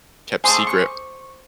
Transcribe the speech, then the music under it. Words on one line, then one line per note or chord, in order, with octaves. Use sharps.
kept secret.
A3 G#4 C5 C6 D6
C#6